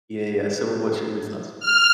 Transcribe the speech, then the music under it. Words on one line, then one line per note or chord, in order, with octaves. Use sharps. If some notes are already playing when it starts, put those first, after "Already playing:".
Yeah, yeah, yeah, so, what's your what are your thoughts?
F6